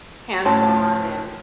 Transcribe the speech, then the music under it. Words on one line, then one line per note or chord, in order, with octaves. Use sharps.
hands-on and
D2 A2 F#3 C#4 A5 C6